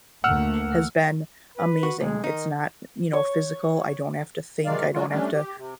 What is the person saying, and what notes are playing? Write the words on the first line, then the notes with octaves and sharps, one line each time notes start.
has been amazing. It's not, you know, physical, I don't have to think, I don't have to
D2 A3 A#3 F#5 E6 F6
B4
F#4
B1 G#3
D#3 D#4
C#5
C3 D#3 F#3 G#3 D5 F5
F#3 G#3 F4 F#4
G3 A3 C#4 D4
G4
C3